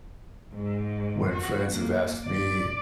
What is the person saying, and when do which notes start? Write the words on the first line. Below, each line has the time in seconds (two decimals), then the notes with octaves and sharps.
when friends have asked me,
0.54 G#2
1.33 F#4
1.71 A#3
2.26 D5